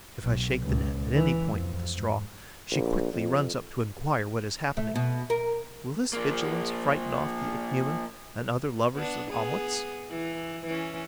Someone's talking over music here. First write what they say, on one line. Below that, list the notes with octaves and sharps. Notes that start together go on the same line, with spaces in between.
If I shake the net at any point with a straw, she quickly runs up to enquire what is happening. Will this vigilance frighten off the Ichneumon and other lovers of omelettes?
B1
C#2
E3
F2
G#2
A#1
F2
A3
B2
A#4
F3 A#3
B3 D4
B3 G#4
E3
E3 C#4